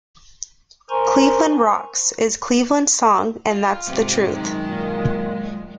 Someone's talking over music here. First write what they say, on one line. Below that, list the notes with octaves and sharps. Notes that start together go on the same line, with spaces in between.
'Cleveland Rocks' is Cleveland's song and that's the truth.
A#4 C5 G#5 A#5 C6 C#6
F4
G#2 C3
F#2 D#3 G#3 D#4
A#2